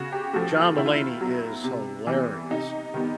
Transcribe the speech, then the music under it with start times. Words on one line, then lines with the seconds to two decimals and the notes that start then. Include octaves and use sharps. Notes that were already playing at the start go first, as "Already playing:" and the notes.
John Mulaney is hilarious.
Already playing: C#3 F#4
0.12 G4
0.33 F3 A3 F#4
0.56 F4
0.77 D#3 E4
0.86 F4
0.94 E4
1.21 F#3 B3
1.64 C3
2.07 E3 G3 B3
2.50 C3 D#4
2.94 D#3 G3 B3